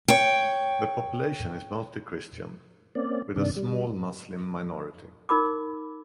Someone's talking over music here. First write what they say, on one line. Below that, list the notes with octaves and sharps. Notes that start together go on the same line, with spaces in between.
The population is mostly Christian with a small Muslim minority.
C#5 G5
A#3 C4 C#4 D5
G2 C3 D#3 D4 D5
G3
D#4 A#4 B5 D6